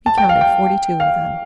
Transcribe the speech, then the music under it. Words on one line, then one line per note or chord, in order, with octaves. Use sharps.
He counted forty-two of them.
A5
G5
F5
G5
F5